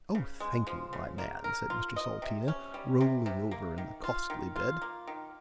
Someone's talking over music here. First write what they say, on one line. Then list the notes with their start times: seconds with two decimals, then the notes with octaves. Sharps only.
Oh thank you my man said Mr Salteena rolling over in the costly bed.
0.15 C#3
0.40 G#3
0.67 F3
0.93 C#3
1.18 A#3
1.44 A#4
1.70 F4
1.96 D#5
2.22 C3
2.48 C#4
2.74 G3
3.01 C3
3.26 C3
3.51 A#3
3.78 D#3
4.04 F4
4.30 D#3
4.56 F4
4.82 A#3
5.07 D#3